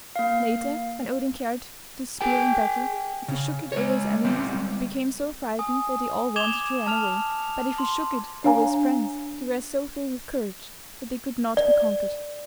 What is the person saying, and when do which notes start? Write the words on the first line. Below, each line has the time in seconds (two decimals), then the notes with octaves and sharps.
Later, when Odin carried this spear in battle, if he shook it over his enemies they became so frightened that they all wanted to run away, but if he shook it over his friends they were so filled with courage that they could not be conquered.
0.16 A#3 F5
2.21 G#4 G5 G#5
3.28 C#3
3.72 G#3 C#5
4.24 G3 G#3 C4
5.59 G#5 D#6
6.36 D6 G#6 E7 F7 G7
6.86 A5 F6 F7
7.78 C6
8.44 D4 C#5 F5 G#5 A#5
11.57 D5